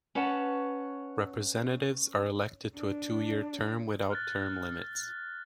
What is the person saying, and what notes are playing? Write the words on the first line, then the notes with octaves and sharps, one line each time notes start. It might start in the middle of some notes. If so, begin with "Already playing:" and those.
Representatives are elected to a two-year term without term limits.
C#4 B4 C#5 F#5 A5
D4
F6 F#6 A6